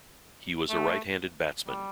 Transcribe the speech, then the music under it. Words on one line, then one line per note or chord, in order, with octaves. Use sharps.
He was a right-handed batsman.
A3
G3